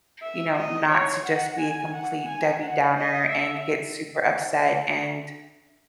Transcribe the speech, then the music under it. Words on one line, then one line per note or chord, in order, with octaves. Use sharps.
you know, not to just be a complete Debbie Downer and get super upset and,
E5
D#5
C#5
F#5
G#5
F#5
G#5
F#5
D#5
E5